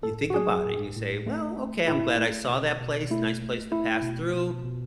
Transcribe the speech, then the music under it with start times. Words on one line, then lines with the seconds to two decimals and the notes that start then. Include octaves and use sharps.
you think about it, and you say, "Well, okay, I'm glad I saw that place, nice place to pass through,
0.03 A2 A4
0.30 F#4
0.34 F#3 G#4
0.65 A2
0.96 A2
1.26 A3
1.57 A3
1.88 A2 E4
2.18 A3
2.49 B2
2.81 B2
3.10 A3 E4
3.42 A3
3.72 A3 E4
4.02 B2
4.33 B2
4.64 B2